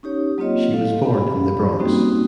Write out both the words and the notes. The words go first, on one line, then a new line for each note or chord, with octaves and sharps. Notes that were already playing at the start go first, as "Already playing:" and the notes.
She was born in The Bronx.
C#4 D#4 G4 C#5
F#3 A#3 C4 F4 C#5 D#5
A4 F5
G4 B5
G3 A#3 C4 C#4 D#4 F#4